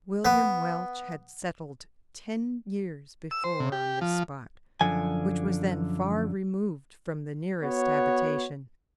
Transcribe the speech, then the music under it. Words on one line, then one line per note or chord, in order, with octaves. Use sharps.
William Welch had settled ten years before on this spot, which was then far removed from the nearest habitation.
B3
E6
C5
C3
G4
F3
F#2 D3 F3 G#5
B3 F#4 C#5